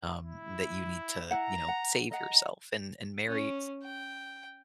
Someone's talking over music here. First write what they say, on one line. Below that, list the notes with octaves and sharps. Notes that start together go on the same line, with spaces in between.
um, that you need to, you know, save yourself and and marry
E4
E4 F#5 A#5
F#5
D#5 F#5 A#5
C#4
G5